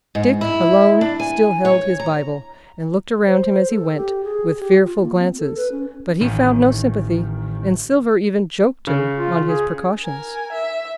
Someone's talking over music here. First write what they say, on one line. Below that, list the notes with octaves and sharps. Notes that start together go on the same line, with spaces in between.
Dick alone still held his Bible, and looked around him as he went, with fearful glances; but he found no sympathy, and Silver even joked him on his precautions.
G#2
E4
D4
G#5
C#5
A#5
C5
A4
G4
G#4
G4
F4
A#3
C4
A4
B4
C#4
A1 D#3 D#7
C#3
F4
G#4
A#4 G#5
E5